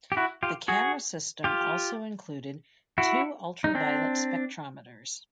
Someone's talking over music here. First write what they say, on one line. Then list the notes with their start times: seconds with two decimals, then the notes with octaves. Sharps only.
The camera system also included two ultraviolet spectrometers.
0.12 G4
0.17 E4 F#4
0.43 F4 G4
0.68 F#4 G#4
1.44 F4 G4
2.98 E4 F#4
3.64 D#4
3.75 C4 D4